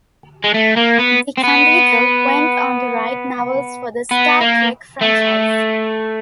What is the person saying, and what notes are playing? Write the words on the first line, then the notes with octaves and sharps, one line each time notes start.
DeCandido went on to write novels for the "Star Trek" franchise.
G#3
A3
A#3
B3
C4
B3
B3
A#3
A3